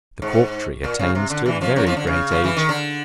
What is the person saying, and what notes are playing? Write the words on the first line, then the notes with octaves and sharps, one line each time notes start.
The Cork Tree attains to a very great age.
G#2
A#2
C#3
C3
D3
E2 E3
F2 F3
F#2 F#3
F2 F3
D3
C#3
F3
E3
D#3
D3